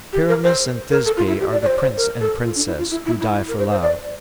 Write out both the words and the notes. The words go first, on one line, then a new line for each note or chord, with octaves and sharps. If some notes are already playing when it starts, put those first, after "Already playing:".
Pyramus and Thisby are the prince and princess, who die for love.
G4
A#4
C5
A#4
A4
F4
E4
G4
D5
D5
C5
C5
A#4
A4
F4
D4
E4
F4
E4
E4
E4
E4
A#4
C5
C5
D5